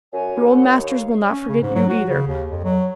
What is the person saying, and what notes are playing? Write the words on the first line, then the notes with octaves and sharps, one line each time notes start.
Your old masters will not forget you either.
F#2 C#5 G#5
D#2
F#5
D#4
F5
C#4
C#3
G#2
F#3
F#4
C#3
D#2
F2
F#3